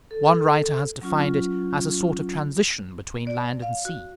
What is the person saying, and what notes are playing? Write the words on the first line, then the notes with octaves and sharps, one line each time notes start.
One writer has defined it as a sort of transition between land and sea.
A4
F#3 C#4 F4
D5
F5
F#4